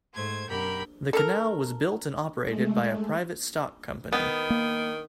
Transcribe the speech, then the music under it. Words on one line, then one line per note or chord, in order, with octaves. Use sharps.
The canal was built and operated by a private stock company.
G#2 A3 C5 G#6
F#2 B2 G4 A#4 B5 G6
A4 A#4
G#3 A3
D#3 B3
A#3